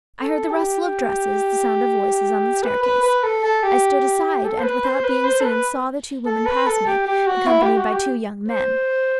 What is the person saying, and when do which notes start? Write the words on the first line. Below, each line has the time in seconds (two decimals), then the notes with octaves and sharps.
I heard the rustle of dresses, the sound of voices, on the staircase. I stood aside, and, without being seen, saw the two women pass me, accompanied by two young men.
0.21 A4
0.51 G4
0.80 G4
2.63 B4
2.82 B4
3.03 B4
3.23 A4
3.44 A4
3.63 G4
4.45 A4
4.58 C5
4.64 B4
4.85 C5
5.04 B4
5.25 C5
5.41 A4
5.45 B4
6.26 A4
6.46 B4
6.66 A4
6.86 G4
7.07 G4
7.27 F#4
7.47 E4
7.62 G4
7.77 F#4
7.93 G4
8.48 C5